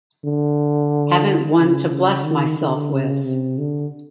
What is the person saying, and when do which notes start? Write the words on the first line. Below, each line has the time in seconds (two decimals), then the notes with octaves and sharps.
Haven't one to bless myself with.
0.25 D3
1.58 C#3
1.91 C#3
2.24 D#3
2.58 D3
2.91 C#3
3.24 C3
3.58 D3